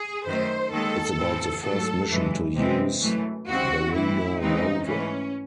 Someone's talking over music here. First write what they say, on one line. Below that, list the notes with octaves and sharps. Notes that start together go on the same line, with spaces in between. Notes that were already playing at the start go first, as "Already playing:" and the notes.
It’s about the first mission to use the lunar rover.
Already playing: G#4
F#2 D#3 A3 C5
D#2 D#3 G#3 A4
A2 E3 C4
G#2 F#3 A3 A4
F#2 E3 G#3
C3 E3 G#3 C4
F#2 E3 A3
D#2 C#3 G#3 C4 F#4
A2 E3 C4 E4
C#3 E3 G#3 C4 D#4
G#2 E3 A3 C#4